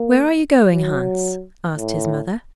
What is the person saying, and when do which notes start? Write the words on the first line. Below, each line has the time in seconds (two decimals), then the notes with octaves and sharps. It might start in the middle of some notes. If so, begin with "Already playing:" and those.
'Where are you going, Hans?' asked his Mother.
Already playing: A#3
0.72 F#3
1.75 A2